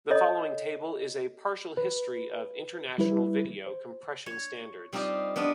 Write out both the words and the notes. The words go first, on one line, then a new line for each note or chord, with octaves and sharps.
The following table is a partial history of international video compression standards.
A4 C#5 D#5
B4
G3 E4 B4
C5
C#5
G3 C4 D#4 F4 G4 D#5
B3 D4 F4 D#5